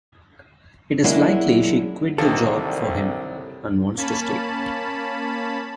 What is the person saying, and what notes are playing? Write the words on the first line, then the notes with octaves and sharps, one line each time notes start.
It is likely she quit the job for him and wants to stay.
F#3 G#3 A#3 C#4 D4 E4
C2 D3 D#3 F3 F#3 A#3 A4
A#3 C#4 A5 B5